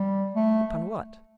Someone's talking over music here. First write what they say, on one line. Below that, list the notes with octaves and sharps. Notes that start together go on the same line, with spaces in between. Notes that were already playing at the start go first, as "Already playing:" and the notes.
"Upon what?"
Already playing: G3
A3